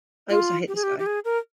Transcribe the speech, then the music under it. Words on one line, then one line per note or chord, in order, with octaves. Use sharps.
I also hate this guy.
F4
G4
G#4
G4
G4
G#4
A#4